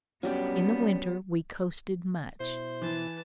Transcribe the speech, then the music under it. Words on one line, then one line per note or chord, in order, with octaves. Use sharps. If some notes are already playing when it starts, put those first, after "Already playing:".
In the winter we coasted much.
F#3 G3 B3 C#4 D4 G4 G5
B2 E4 C5
E3 B4 A5